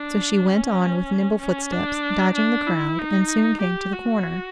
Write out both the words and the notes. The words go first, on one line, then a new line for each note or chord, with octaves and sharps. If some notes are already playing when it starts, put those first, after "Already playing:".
So she went on with nimble footsteps, dodging the crowd, and soon came to the corner.
Already playing: D4
C#4
C#4
D4
D4
E4
D#4
G4
F#4